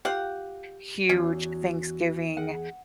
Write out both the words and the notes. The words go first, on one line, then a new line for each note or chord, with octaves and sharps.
huge Thanksgiving,
F4 G4 F5 F#5
E2 C#4 F#4
G#4 F#5